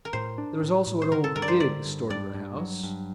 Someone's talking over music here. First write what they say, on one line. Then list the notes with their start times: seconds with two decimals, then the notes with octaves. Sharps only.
There is also an old gig stored in the house.
0.05 A#4
0.13 A2 C5
0.38 D4
0.63 A2
0.87 A2
1.02 C5
1.12 D3 A#4
1.24 A4
1.36 G2 A#4
1.42 D5
1.48 C5
1.60 D3 D5
1.85 G2
2.10 G2 D5
2.34 G2
2.59 F#3
2.83 G2